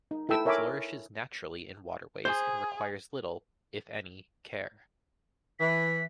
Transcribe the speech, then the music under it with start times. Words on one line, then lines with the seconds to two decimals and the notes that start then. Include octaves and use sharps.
It flourishes naturally in waterways and requires little, if any, care.
0.11 D#4
0.29 E4 A4 G5 E6
0.45 A#4 C#5 E5 G#5 B5 D6
2.25 G#4 C5
5.59 E3 B6